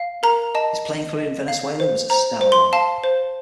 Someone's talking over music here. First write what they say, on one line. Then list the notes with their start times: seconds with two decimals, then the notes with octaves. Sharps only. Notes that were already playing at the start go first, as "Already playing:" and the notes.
His playing career in Venezuela was a stellar one.
Already playing: F5
0.23 A#4 A#5
0.55 D#5 A5
0.86 D#5
1.17 D#5
1.48 F5
1.80 C5
2.10 C5 A#5
2.41 C5
2.52 C6
2.73 F5 A5
3.04 C5